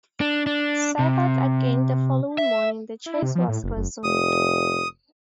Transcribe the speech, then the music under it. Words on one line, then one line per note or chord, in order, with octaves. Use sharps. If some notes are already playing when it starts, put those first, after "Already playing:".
Sighted again the following morning, the chase was resumed.
D4
D4
C3
E5
E4
C3
F3
A2
F#1
F#1
F1 D#6